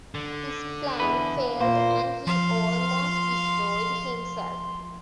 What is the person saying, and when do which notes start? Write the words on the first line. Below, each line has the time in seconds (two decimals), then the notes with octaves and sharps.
His plan failed and he almost destroyed himself.
0.15 D3
1.00 E2 B4
1.61 A#2 A#3 C5
2.27 F3 F5 C6